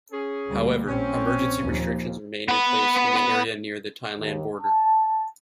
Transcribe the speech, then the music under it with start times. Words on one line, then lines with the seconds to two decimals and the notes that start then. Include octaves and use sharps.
However, Emergency restrictions remained in place in the area near the Thailand border.
0.12 C#4 G#4
0.49 D2 G3 A#3
0.87 A#1 C4 C#4
1.60 D#2 A#2 F3
2.48 B3 B4
4.18 D#2
4.61 A5